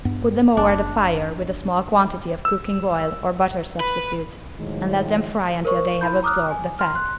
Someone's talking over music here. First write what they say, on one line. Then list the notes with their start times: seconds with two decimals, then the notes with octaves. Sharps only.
Put them over the fire with a small quantity of cooking oil or butter substitute, and let them fry until they have absorbed the fat.
0.05 G2 B3
0.57 F#1 D4
2.45 E6
3.80 B4
4.57 A2 D#3 F3 F#3 G#3
5.65 A#4 C5 D5 C#6
6.01 E4 B5 C6 G6
6.23 A#5 D6 D#6 F6 F#6
6.51 G#5
6.79 C6 F6
6.95 C6 F#6